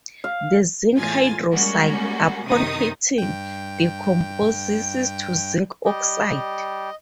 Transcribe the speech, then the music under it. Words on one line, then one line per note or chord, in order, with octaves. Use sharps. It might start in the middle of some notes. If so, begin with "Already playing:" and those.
The zinc hydroxide upon heating decomposes to zinc oxide.
F5
E2 A2 F4 G#5 A6
G3 G#3 A#3 C#4 F#4
F#2 C3 D#3 D#4 D#6
G2 G5
G3 G4 D#5